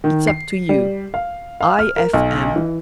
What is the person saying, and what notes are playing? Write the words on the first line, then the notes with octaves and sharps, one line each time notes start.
It's up to you. I.f.M.
D#3
C7
G3
F5
F5
F6
A#4
B1
E3